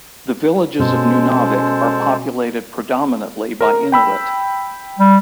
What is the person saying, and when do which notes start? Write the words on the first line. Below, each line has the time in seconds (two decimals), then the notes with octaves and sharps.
The villages of Nunavik are populated predominately by Inuit.
0.79 B2 G#3 C#4 A4 C5
3.61 A#4 A#5
3.92 G5 B5 E6
4.99 G3